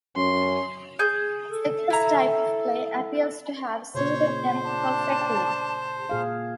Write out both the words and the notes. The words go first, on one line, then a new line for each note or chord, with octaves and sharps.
Dekker's type of play appears to have suited them perfectly.
F#2 C#4 C6
G#4 G6
A4
E4 A#5
A#2 C#3 C5 C#5
D4 A5
A#2 G#4 F5